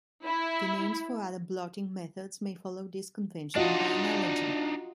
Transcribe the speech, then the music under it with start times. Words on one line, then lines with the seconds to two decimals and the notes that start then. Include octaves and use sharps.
The names for other blotting methods may follow this convention, by analogy.
0.24 E4
3.56 D4 D#4 F4 F#4 D#5